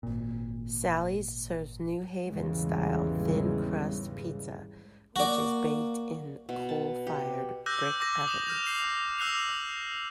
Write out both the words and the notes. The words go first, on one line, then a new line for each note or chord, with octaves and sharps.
Sally's serves New Haven-style thin-crust apizza, which is baked in coal-fired brick ovens.
G#1 A#2
G#1 E2 C#3 E3 G3 G#3
A#3 F#4 D5
B2
A5
G4
D6 E6 F#6 G6 A#6
D6 E6 A#6
D#6 E7
F6 G6 F7
C7 F7
D6 E6 F#6 C7 F7